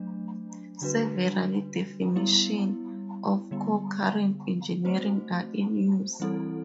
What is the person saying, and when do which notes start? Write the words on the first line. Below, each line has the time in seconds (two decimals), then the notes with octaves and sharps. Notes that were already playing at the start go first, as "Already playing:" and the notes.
Several definitions of concurrent engineering are in use.
Already playing: F#3 A3 D4
0.81 D3 G3 D4 F#4 B4
2.16 G3 B3 E4
3.51 D3 G3 B3
4.85 A3 C4 F#4 C5
6.20 E3 G3 C4 E4 A4